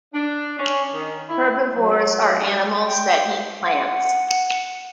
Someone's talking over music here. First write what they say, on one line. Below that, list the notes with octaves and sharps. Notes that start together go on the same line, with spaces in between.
Herbivores are animals that eat plants.
D4
C#4
D#3
E4
F#3
G3
G5
F#5